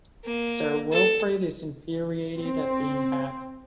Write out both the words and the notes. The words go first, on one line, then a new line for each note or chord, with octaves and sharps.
Sir Wilfrid is infuriated at being had.
A#3
A4
C4